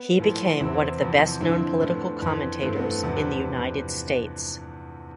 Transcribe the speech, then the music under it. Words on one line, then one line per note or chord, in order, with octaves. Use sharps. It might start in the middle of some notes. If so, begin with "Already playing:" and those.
He became one of the best-known political commentators in the United States.
Already playing: B3
A2 F3
E2 C3 E3 C4 E4
E2 C3 F3
F2 D3 F3 C4 E4
A2 F3 B3 D4
F2 E3
G2 E3 A3 C4
B3
A3
E2 C3 F3 B3 D4
G4 B4